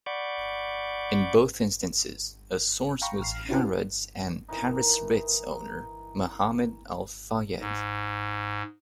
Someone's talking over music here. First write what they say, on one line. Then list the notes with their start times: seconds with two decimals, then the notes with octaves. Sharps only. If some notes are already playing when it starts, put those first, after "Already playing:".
In both instances, a source was Harrod's and Paris Ritz owner Mohammed Al-Fayed.
0.06 D5 F#5 B5 C#6 D6 G6
3.02 F5 G5 A#5 B5 C#6
3.20 A1 F6 C7
3.49 C#4 E4 F#4 G4 B4 A5
4.48 D#3 E3 D#4
7.61 G#2